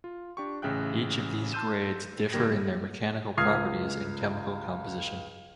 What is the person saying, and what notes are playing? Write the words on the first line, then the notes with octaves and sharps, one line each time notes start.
Each of these grades differ in their mechanical properties and chemical composition.
F4
D4 G4 C#6
A1 C#3 E5 G5 F#6
A5 C6 E6 G6 D#7 E7
G2 D3 A#3 G4 G#6 A#6
G3
C#2 D#6 F6 G#6 C7